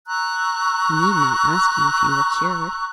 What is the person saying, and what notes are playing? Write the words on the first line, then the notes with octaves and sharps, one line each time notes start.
I need not ask you if you were cured.
A#5 C#6 E6 F#6